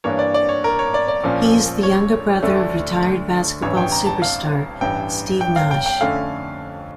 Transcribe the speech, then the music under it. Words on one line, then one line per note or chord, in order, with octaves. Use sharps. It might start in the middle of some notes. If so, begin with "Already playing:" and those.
He is the younger brother of retired basketball superstar Steve Nash.
G2 E3 A#3 D4 C#5
D5
D5
C#5
A#4
C#5
D5
D5
A#1 A#2 F3 C#4
C#5
D2 D3 A3 D4
A1 G2 E3 C#5
G5
A#5
A5
F5
A1 G2 E3 G5
G5
F5
G5
G5
F2 D3 A3 C#4 F5